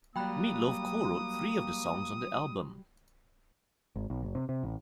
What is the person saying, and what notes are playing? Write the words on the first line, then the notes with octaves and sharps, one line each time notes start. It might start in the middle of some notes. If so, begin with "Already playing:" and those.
Meat Loaf co-wrote three of the songs on the album.
F#3 G3 A#3 G5 B5 D#6 F#6
G#1
B1
F#1
C3
C3
A1